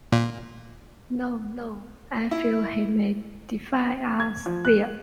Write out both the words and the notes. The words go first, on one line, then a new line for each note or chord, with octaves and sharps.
No, no; I feel he may defy us there.
A#2
E4
G#6
F3
F#6